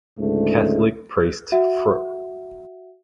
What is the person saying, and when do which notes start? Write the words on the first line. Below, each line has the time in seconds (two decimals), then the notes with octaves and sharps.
Catholic priest Fr.
0.19 C#2 G#2 D3 G#3 A3
1.52 F#4 E5 F#5